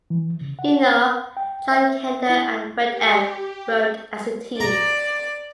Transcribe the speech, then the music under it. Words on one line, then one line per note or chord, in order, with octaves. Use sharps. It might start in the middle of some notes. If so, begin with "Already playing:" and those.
You know, John Kander and Fred Ebb wrote as a team.
E3
C#3
F#5
G5
E5
E4
G4
D5 A#5